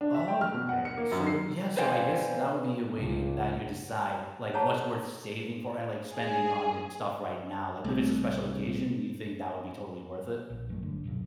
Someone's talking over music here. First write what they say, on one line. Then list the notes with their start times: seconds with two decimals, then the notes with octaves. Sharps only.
Okay, so yeah, so I guess that would be a way that you decide, like, what's worth saving for, and like, spending on, eh, stuff right now, like, if it's a special occasion, you think that would be totally worth it?
0.01 D4
0.14 E5
0.28 G5
0.41 F6
0.54 B2
0.69 F#5
0.85 C#7
0.97 A#3
1.12 F#2
1.27 C7
1.77 B4 C5 D5 F5 G5 G#5
2.97 C#2
4.54 G#4 C#5 F#5 A5 A#5
6.12 G#4
7.84 C2 A3 C4
10.50 A#1
10.69 F#2 A3
10.83 G1 D3
11.04 D#1 B1 F#2